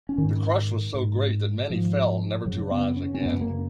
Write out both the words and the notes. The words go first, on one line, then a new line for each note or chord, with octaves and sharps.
The crush was so great that many fell never to rise again.
C#4
G#2 D#3
G#2
G#2 F3
F#2 C#3 F#3
B3
C#4
C#4
F#2 C#3 B3
A#3